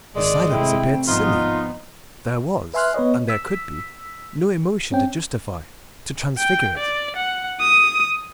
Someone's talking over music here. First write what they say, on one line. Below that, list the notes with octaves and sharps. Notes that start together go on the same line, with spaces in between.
The silence appeared silly; there was, and there could be, no emotion to justify, to transfigure it.
G#1 D#3 G#3 D5
C3 A3 C4 E4 G5
G#1 F3 B3 D#4 F4
B4 E5 G#5 C6 F6 F#6
B3 B4 C#5 D#5
E6 B6
C4 C#4 G5
G5
D5
F#5
D#6